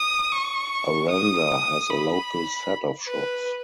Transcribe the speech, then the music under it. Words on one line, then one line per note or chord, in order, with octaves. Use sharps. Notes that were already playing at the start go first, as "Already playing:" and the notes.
Aranda has a local set of shops.
Already playing: D#6
C#6
D#6
B5
B4